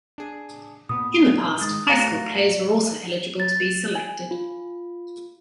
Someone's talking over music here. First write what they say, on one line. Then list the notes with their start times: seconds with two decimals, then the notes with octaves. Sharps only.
In the past, high school players were also eligible to be selected.
0.18 D4 G#4
0.89 A#2 B3 D#6
1.61 D#3 G#3 D#4 D#6 A6
1.89 A3 F#4 D5 F5 A#5 A#6
3.40 A6
3.95 G#5
4.31 F4